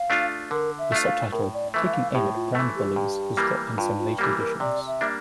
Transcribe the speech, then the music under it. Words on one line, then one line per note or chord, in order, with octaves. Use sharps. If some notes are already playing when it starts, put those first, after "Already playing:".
The subtitle, "Taking Aim at the Brand Bullies", was dropped in some later editions.
Already playing: F5
A3 D4 F4
D3 A#4
E5
A3 D4 F4
F5
A2 A#4
D5
E3 A3 E5
E5
F5
A2 G4
F4
E3 A3
G4
G2
E3 G3 A#3
G2 F4
F4
E3 G3 A#3 G4
A#4
C3 D5
E5
G3 A#3 D4